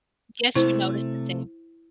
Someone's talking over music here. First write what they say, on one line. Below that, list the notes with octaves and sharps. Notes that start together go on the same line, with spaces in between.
guess you noticed the
C3 A3 E4 C5